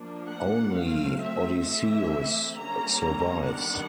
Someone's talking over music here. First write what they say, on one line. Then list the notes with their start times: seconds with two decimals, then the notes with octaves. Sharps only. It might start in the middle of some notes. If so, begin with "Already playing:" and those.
Only Odysseus survives.
Already playing: F3 A#3 D4
0.28 F#5
0.74 F#3 A3 C4 F5
1.19 E5
1.64 E3 A3 C4 E5
2.53 D3 G3 A#3 C#4 A#5
3.44 D#3 G3 B3 D4 F#5